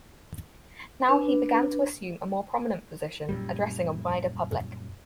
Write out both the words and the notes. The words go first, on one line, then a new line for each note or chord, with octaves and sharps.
Now he began to assume a more prominent position, addressing a wider public.
D4 B4
F#2 A#2 G3